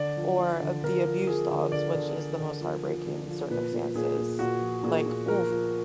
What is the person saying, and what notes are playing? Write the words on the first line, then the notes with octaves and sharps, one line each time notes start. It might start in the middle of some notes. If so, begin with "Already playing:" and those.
Or the abused dogs, which is the most heartbreaking circumstances. Like, oof,
Already playing: D3 D5
F3
F3
D3
D3 A#4
F3
F3 G#4
D3
D3 D5
D3
D3
D3
F3
F3
D3
F3
A#2 B4
A#2
A#2 G#4
A#2
A#2 F#4
F3
A#2 G#4
A#2
F3 A#4
F3